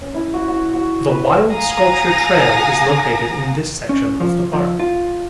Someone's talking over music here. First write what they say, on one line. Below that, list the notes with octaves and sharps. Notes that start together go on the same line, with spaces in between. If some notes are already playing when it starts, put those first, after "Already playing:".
The "Wild Sculpture Trail" is located in this section of the park.
C#4
E4
F#4
F#4
F#4
B4
F5 F#5 G#5 A#5 D#6 A#6
C#4
F3
F3
F4